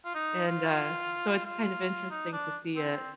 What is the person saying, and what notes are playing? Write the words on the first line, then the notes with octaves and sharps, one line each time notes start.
And, uh, so it's kind of interesting to see it.
F4
D#4
F4
F4
D#4
D4
C4